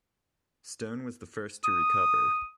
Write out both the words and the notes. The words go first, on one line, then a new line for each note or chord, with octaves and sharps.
Stone was the first to recover.
D#6